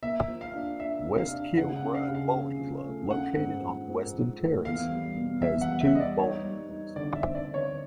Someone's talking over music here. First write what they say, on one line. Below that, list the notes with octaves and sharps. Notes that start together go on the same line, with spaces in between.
West Kilbride Bowling Club, located on Weston Terrace, has two bowling greens.
A#3 E5
F3
F5
D4
D4 E5
C3
F5
D4
C#3 F#5
F#5
C#4
F5
C#3
F5
C#4
F3
A3
C#4 F#5
G#2
F3
G#2
F3
A3
E2 F5
G3
B2
E2 E5
F#5
G3
E5
G3 D#5
D5
D#4 C#5
G3
D#4
D3 D5
E5
C4
D5
D3
C#5